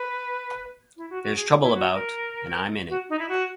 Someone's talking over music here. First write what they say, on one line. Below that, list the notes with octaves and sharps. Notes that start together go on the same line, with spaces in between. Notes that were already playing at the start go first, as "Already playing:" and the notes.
There’s trouble about and I’m in it.
Already playing: B4
E4
F#4
F#4
G#4
E4
F#4
A#4
F#4
D#4
E4
F#4